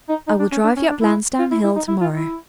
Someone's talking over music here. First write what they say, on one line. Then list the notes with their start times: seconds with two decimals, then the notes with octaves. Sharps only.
"I will drive you up Lansdown Hill tomorrow."
0.09 D#4
0.28 D#4
0.39 D4
0.52 C#4
0.64 D4
0.77 C#4
0.89 D4
1.01 E4
1.39 F4
1.51 E4
1.64 E4
1.76 D#4
1.88 E4
2.01 F4
2.12 E4